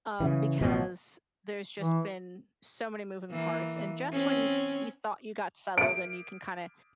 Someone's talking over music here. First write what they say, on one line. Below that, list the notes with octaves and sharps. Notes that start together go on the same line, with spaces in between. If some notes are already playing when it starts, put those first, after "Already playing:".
Um, because there's just been so many moving parts, and just when you thought you got settled and you can kinda
C#3 E3
A1 B2 F3
E3
E3 A#3
C4 C#4
D7